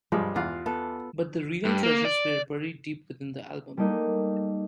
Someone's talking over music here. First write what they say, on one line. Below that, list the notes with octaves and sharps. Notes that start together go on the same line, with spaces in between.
But the real treasures were buried deep within the album.
G2 F3 G3 G#3
E2 F4 F5 F#5
B3 A4
G2
A#3
D5
G3 A3 A#3 D#4